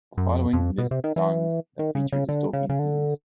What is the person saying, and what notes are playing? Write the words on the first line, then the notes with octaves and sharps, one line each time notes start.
The following lists songs that feature dystopian themes.
F#2
F2
F2
B2
C3
D#3
E3
D#3
C#3
C#3
D3
C#3
C#3
D3